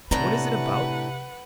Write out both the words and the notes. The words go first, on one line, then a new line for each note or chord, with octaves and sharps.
What is it about?
A2 C3 C4 D4 B4 F#5 A#5